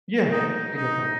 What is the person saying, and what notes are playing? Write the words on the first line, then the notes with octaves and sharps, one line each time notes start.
Yeah. I get that.
D#4
D#4